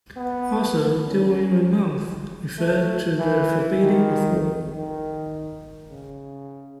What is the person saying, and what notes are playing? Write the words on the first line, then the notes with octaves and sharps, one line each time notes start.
Also during the month referred to the forbidding of war.
B3
C#4
A3
E3
D#3
D#3
C#3